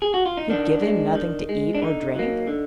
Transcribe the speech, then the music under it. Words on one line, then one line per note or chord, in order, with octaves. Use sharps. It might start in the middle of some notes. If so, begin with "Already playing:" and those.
"You give him nothing to eat or drink?"
G#4
F#4
F4
D#4
D#3 D4
G#3
D#3
G#3
D4
D3 D#4
F#3 A#3
D3